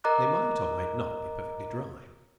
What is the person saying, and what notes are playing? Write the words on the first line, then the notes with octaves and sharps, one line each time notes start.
They might or might not be perfectly dry.
A#4 D#5 A#5 D6 F#6